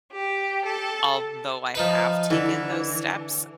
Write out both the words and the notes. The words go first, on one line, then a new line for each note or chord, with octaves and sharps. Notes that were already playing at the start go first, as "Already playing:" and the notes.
although I have taken those steps
G4
A4
F3 D#4 B4
D3 E3